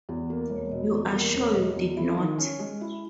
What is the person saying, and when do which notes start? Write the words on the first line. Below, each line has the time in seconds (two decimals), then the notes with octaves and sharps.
You are sure you did not?
0.09 E2
0.30 A#3
0.50 E1
0.71 B2
0.92 E2
1.13 A#3
1.34 E1
1.55 B2
1.76 E2
1.97 E4
2.18 D#3
2.38 C#4
2.59 G#3
2.81 E4